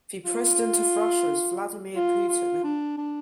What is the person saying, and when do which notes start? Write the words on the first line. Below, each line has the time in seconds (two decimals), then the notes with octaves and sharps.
The president of Russia is Vladimir Putin.
0.24 F4
1.95 F4
2.29 F4
2.64 D4
2.98 D4